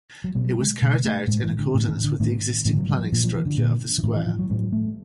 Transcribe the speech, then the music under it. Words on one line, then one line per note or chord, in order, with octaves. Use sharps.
It was carried out in accordance with the existing planning structure of the square.
F#3
B2 G3
G#3
B2
A3
A2 G#3
E3
D3
A2
D#3
D3
A2 D#3
A2 E3
F#3
G3
F3
A#2 F3
F3
E3
D3
A#2
E3
A2 D#3
E3
F3
F#3
A2 G3
A3